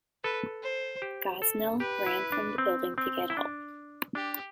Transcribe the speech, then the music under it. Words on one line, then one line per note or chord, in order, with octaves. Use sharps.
Gosnell ran from the building to get help.
A4 B4
C5
G4
A4
G4 B4
E4
D4
C4
C4
E4
D4
D4 G4